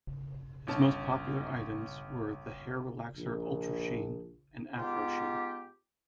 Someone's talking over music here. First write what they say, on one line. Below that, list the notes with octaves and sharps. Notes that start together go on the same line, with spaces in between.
His most popular items were the hair relaxer Ultra Sheen and Afro Sheen.
G1 C#4 A5
A#1
G#2 B3 F4 G4